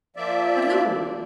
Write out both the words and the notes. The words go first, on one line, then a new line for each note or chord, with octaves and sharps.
"But who?"
F3 A#3 D5 E5